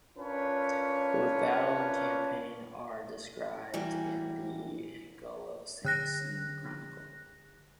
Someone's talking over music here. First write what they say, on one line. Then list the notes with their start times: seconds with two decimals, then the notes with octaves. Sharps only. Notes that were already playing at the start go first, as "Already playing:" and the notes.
Both battle and campaign are described in the "Anglo-Saxon Chronicle".
0.17 C#4 D4 F4 A#4 B4 C#5
3.74 E3 G3 A#3 F#4
5.85 D3 F#6 A#6